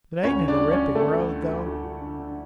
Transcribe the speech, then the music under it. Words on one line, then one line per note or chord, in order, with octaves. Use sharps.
But ain't it a ripping road, though?
D2 C#4 C#5
D3
D4 D5
D2
C#4 C#5
D3
D2 A3 A4
D2
D3
D2
D2
D2
D3
D3